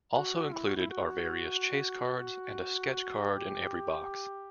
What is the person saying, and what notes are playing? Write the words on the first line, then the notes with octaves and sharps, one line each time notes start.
Also included are various chase cards and a sketch card in every box.
F#4
E4
F#4
E4
F#4
G4